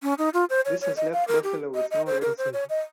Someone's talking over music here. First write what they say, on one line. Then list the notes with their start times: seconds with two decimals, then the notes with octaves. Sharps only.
This has left Buffalo with no rail service.
0.03 C#4
0.18 D#4
0.34 F4
0.50 C5
0.65 C#5
0.81 C#5
0.97 D#5
1.13 F5
1.28 A#4
1.44 G4
1.75 D#5
1.91 D#5
2.07 C5
2.22 A#4
2.38 C5
2.53 C#5
2.70 D#5